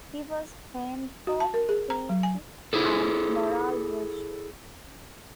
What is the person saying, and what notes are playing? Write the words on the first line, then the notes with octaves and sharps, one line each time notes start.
He was famed for "piety and moral virtues".
F#4
A5
A#4
G#4
A#5
F#3
G#5
E4 G#4 A4